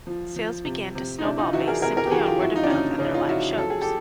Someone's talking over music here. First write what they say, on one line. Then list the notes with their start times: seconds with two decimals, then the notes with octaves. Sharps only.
Sales began to snowball based simply on word of mouth and their live shows.
0.07 F3
0.36 F3
0.65 C3
0.95 C3
1.19 D#4
1.24 C3 D4 E4
1.38 D#4 F4
1.53 E3 E4 F#4
1.68 G#4 A#4
1.82 C3 G#4 A#4
1.97 G#4 A#4
2.06 G4
2.11 E3 F#4 G#4
2.26 F4 G4
2.41 F3 E4 F#4
2.56 D#4 F4
2.63 D4
2.70 C#3 C#4 D#4
2.99 C#3 C#4 D#4
3.14 D#4 F4
3.28 F3 E4 F#4
3.58 F#3 A4
3.70 G#4
3.82 G4 A4